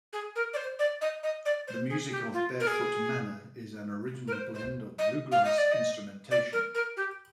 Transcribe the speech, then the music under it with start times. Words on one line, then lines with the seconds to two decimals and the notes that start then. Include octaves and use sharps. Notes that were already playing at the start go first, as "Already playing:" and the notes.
The music of Barefoot Manner is an original blend of bluegrass instrumentation.
0.13 G#4
0.35 A#4
0.53 D5
0.57 C5
0.79 D5
1.01 D#5
1.23 D#5
1.45 D5
1.67 C5
1.90 G#4
2.12 G4
2.33 F4
2.60 A#4
2.67 G#4
4.27 A#4
4.32 C5
4.54 C5
4.98 D#5
5.31 F5
5.45 D#5
5.58 D5
5.71 D#5
6.31 D5
6.53 A#4
6.74 A#4
6.97 G4